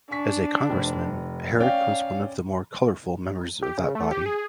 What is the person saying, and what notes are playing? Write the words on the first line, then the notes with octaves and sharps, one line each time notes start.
As a Congressman, Herrick was one of the more colorful members of that body.
D4 G#5 C#6 B6
F1 C5
C#4 D5 F5 G5
G4
C#3
A3
G4
G#4